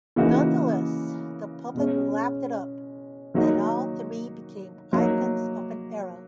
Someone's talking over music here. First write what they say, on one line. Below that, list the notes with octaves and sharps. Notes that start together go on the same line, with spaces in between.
Nonetheless, the public lapped it up and all three became icons of an era.
C#3 E3 A#3 D#4 F#4
B2 G#3 C#4
D#3 F#3 A#3 D#4 F#4
F#3 A#3 D#4